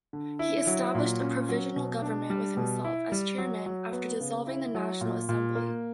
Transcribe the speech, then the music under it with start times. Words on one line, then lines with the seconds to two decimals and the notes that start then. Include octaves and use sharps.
He established a provisional government with himself as chairman after dissolving the national assembly.
0.13 D3
0.39 E4
0.67 F#3
0.95 A#2
1.21 C#4
1.49 F#3
1.76 B2
2.02 D4
2.30 G3
2.57 B2
2.84 E4
3.12 G3
3.38 F#3
3.66 F#3
3.92 B3
4.20 C#3
4.47 E4
4.75 F#3
5.01 A#2
5.29 A#2
5.55 A#3